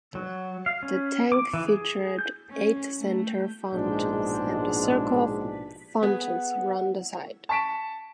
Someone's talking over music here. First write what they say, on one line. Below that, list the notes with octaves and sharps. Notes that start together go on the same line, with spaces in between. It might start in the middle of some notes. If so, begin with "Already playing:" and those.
The tank featured eight central fountains, and a circle of fountains around the side.
F#3
F5
C#4
D6
E3
G#4
G6
C#4
A3
A#1 G#2 B2 G#3 D4
B3 G#4 F#5
A5 C#6 B6 D7 E7